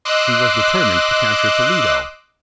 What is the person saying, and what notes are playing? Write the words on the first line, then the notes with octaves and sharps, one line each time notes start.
He was determined to capture Toledo.
D#5 C6 D6 E6 F#6